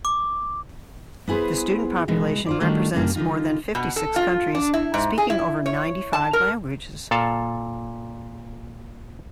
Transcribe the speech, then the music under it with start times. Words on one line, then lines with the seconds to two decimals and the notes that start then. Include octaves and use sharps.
The student population represents more than fifty-six countries speaking over ninety-five languages.
0.05 D6
1.28 B3 E4 G#4 B4 C5
2.08 B2 E3 G#3
2.46 F4 C5 D5
2.60 D#3 F#3 G3 A3 D4 F4
2.94 F#2 A#2 C#3 G3 A#3 D4
3.16 D3 D#3 D#4 F4
3.75 B2
3.96 A4
4.16 F4
4.55 D4
4.73 E4
4.94 G#2
5.18 G#4
5.30 E4
5.66 C#5
6.13 A5
6.33 A#4
7.11 A#2 A4 F5 A5